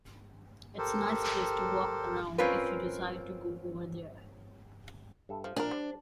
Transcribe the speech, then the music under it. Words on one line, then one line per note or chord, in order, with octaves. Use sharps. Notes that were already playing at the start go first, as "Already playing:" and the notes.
It's a nice place to walk around if you decide to go over there.
G4 A4 A#4 C5
C4 C#4 F4 A#4 B4
G2 A4 E5
F3
A#2 F3 D4 G#4 A#4
G3 C5